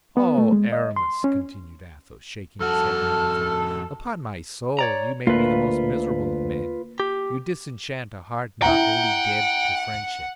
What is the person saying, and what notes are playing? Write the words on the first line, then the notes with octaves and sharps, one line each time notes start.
Oh, Aramis!" continued Athos, shaking his head mournfully, "upon my soul, you make me the most miserable of men; you disenchant a heart not wholly dead to friendship.
B3
A3
G#3
D#5
C6
C#4
F2 F#4 A4 A5 F6
C#5 D5 A#5
D2 A#3 F4 B4
G4
E4 F#5 G5 A#5